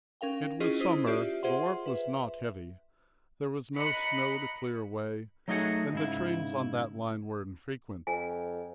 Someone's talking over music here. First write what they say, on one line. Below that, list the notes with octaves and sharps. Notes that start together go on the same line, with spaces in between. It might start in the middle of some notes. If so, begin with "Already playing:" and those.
It was summer; the work was not heavy; there was no snow to clear away, and the trains on that line were infrequent.
C#4 A#4 F5 G5
C#4 E4 F4 G#4 D#5
E4 C5 D#6 D#7
F4 G4 D5 E5
F4 G#4 C5 E5 F#5 C6
B4 E5
D#5 A#5 B5 F#6 B6 C#7
F#3 A3 D#4 F#4 G#4 F#5
G#2 C#3 E4
F2 G#5